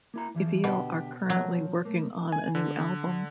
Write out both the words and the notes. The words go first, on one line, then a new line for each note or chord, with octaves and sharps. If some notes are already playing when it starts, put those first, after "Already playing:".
Evile are currently working on a new album.
A#3 E4 A#5
E2 E3 F3
B2 D3 G4
F3 F#3
A3 A#3
G#5
D3